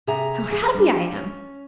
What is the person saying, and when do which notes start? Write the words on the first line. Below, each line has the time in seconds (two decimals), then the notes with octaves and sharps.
How happy I am!
0.07 C3 G#4 E5 F#5 A#5
0.50 E3 G#4
0.74 G3 D4
1.15 C#4